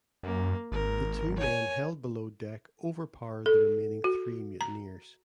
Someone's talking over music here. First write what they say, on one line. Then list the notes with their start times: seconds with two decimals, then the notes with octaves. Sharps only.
The two men held below deck overpowered the remaining three mutineers.
0.23 F#2 A#3
0.72 G#1 A#4
1.36 C#5 G#5
3.46 A4
4.04 F#4
4.61 A#5